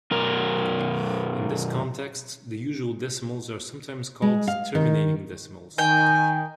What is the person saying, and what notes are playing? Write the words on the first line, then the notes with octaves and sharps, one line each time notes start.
In this context, the usual decimals are sometimes called "terminating decimals".
F#2 B2 A#4
G#3
F5
D#3
D#3 G5 G#5